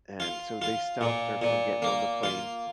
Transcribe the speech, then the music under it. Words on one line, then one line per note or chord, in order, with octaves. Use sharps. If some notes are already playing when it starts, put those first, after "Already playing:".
And so they stopped her from getting on the plane.
F4
F4
A#2
A#2
A#3
F4